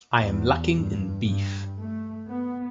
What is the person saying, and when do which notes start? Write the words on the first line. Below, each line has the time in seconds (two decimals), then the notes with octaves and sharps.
I am lacking in beef.
0.21 E2
0.73 G2
1.24 G2
1.77 A3
2.28 B3